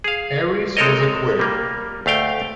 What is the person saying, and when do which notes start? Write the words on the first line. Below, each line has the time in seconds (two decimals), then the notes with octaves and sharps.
Ares was acquitted.
0.04 G#4 F5
0.77 G#3 C4 A4 A#4 C#5 D#5
1.39 G3 A#3
2.06 D2 A3 F5 G5